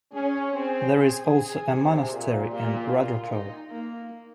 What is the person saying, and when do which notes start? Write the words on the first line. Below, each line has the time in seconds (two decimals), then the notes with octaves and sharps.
There is also a Monastery in Rudrokor.
0.13 C#4 G#4
0.52 C4 G#4
0.92 G#4
1.72 C3
2.12 A#2
2.51 A#2 G4
2.91 F4
3.31 D#4
3.71 A#3